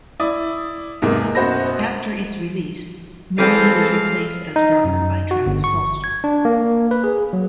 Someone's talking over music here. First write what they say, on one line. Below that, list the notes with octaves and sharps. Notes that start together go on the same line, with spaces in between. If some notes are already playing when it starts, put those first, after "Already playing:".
After its release, Morley was replaced as drummer by Travis Foster.
E4 D5 D#6
E2 G#2 C3 A#3
F#2 B2 F#4 C5 B5 A#6
E3 G#3 C4 A4 F5
D#4
F#2
F#4
G1
C#6
G#6
D4
A#3
B4
G#4
F#3